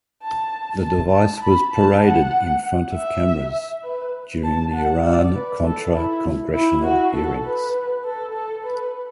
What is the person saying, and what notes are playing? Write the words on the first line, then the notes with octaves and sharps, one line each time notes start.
The device was paraded in front of cameras during the Iran-Contra congressional hearings.
A5
A5
A5
B5
A5
F#5
E5
B4
A5
F#5
D5
B4
A4
E4
E4
F#4
A4
B4
A4
A4
B4